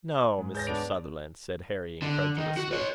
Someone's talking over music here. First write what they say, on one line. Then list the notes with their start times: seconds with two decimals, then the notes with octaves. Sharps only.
"No, Mr. Sutherland!" said Harry, incredulously.
0.39 G#2
0.55 G#4 B4 C#5 G6 A6 A#6
0.67 B3 D4 D5 D7 F7
2.02 D3
2.38 D#3
2.57 F#4
2.71 B4 C#5